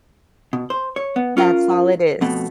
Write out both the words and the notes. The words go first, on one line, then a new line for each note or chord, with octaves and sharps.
That's all it is.
B2
C5
C#5
B3
C#4 F4 A#4 F5
F2 B2 A3